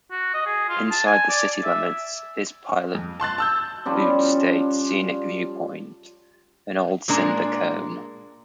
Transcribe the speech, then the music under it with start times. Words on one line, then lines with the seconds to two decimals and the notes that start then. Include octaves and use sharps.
Inside the city limits is Pilot Butte State Scenic Viewpoint, an old cinder cone.
0.11 F#4
0.34 D#5
0.46 G#4
0.69 F4
0.91 A5
1.07 G#5
1.29 D5
1.64 E5
2.95 F2
3.20 A5 C6 F#6 A6
3.38 A5 E6 G6
3.86 F3 G3 C#4 D4
7.08 A#2 G#3 A#3 D4